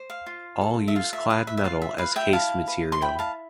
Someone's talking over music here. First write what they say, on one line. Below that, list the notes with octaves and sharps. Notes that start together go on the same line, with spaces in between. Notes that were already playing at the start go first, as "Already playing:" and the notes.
All use clad metal as case material.
Already playing: C5
F5
F4
A4
E5
F4 F5
E5
B4 F5
E5
E5
F4 F5
E5
B4 F5
E5 G5
E4 F5 A5
B4
C6
E4 G5 B5
F5 A5